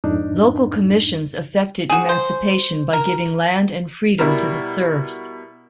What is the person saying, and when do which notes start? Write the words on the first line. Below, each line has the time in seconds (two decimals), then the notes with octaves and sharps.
Local commissions effected emancipation by giving land and freedom to the serfs.
0.04 F2 G#2 D4 D#4
1.90 F#4 G#4
2.09 C5
2.93 A#4
4.19 B2 G3 E4 A#4